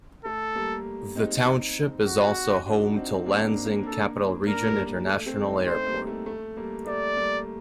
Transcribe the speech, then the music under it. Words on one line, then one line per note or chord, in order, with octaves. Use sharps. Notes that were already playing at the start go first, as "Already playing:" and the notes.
The township is also home to Lansing Capital Region International Airport.
A3 A4
G3 A#3
C4 D#4
F#4
D4 F#4
C4 D#4
A#3 D4
A#3 D4
A#3 D4
A4
A#3 D4 A#4
G3 A#3
G3
A3
A3 C4
C4 D#4
A3 C4 C5
G3 A#3
A3
A3
G3 A#3
A3 D5
G3 A#3